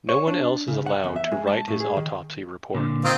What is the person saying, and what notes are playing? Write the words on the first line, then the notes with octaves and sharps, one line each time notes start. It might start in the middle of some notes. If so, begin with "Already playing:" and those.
No one else is allowed to write his autopsy report.
C#5
D4
C#3
F#5
E2
E5
G#3
A5
A2
G#4
D#3
A#2 D3
D#3 C4 F4